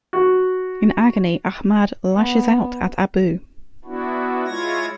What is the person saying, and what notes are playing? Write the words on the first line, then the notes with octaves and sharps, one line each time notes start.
In agony, Ahmad lashes out at Abu.
F#4
B3
B3 D4 E4 F#4
G#3 E4 F4 C#5 G#6 A#6